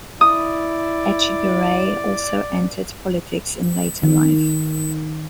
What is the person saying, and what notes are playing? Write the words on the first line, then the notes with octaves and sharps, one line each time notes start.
Echegaray also entered politics in later life.
E4 D5 D#6
D#3